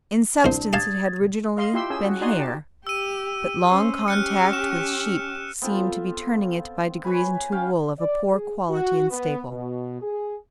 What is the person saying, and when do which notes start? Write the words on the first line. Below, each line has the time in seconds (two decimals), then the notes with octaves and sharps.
In substance it had originally been hair, but long contact with sheep seemed to be turning it by degrees into wool of a poor quality and staple.
0.44 C2 D4 C5
0.73 G4 F5 A5 D#6 G#6 A6
1.57 D#5 F5 C6
1.73 E4 F4 G4 F5 C6 E6
1.90 C#4 G#4 G#5 E6
2.05 F#4
2.21 D#4 F#4 D5 G#5 C6 D#6
2.38 G4 A5
2.87 G4 E6 D#7
3.66 C#4 C5
4.08 C#4 G4 F6 F#6 C#7
4.53 E7
5.61 B3 C4 F4 A4
7.04 B4 C#5 G#5 B5
7.52 C#4 F5 G5
7.98 D5
8.32 G#4
8.70 F#4
9.10 B3
9.49 B2
10.02 G#4